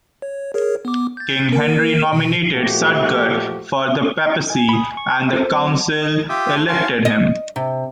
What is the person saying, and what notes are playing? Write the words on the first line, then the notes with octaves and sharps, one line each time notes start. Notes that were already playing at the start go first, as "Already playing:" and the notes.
King Henry nominated Suidger for the papacy and the council elected him.
C#5
G#4 A#4 C#5
B3 D6
G6 A6
A#3 A#4
B2 D#3 E3
A#2 F3 A3 F#4 G4
G#5
B5 D#6
C#6
F4 A4 A#4 C5
F#3 C4
D#5
F4 G4 E5 G5 D6 D#6
A3 C5 C6
C#4 F#4 C5 F5 G#5 A5
D#5
C3